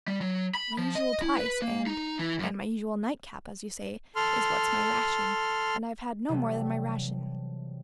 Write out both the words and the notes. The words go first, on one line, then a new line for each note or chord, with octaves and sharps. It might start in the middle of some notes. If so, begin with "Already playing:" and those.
My usual twice and--and my usual night-cap, as you say, is what's my ration, and I've had no more than my ration.
G3
F#3
B5
F3
D#5
E4
B4
A#3
D#4
E3
F#2
A4 C6 F6
C3 E3 F#3 G3 A3